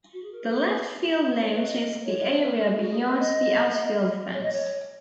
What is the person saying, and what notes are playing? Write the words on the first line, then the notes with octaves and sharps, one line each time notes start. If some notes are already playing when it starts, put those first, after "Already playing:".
The Left Field Lounge is the area beyond the outfield fence.
F#4
G#4
A#4
B4
B4
C#5
B4
D#5
C#5
B4
A#4
G#4
F#4
G#4
A#4
B4
D#5
C#5
D#5
C#5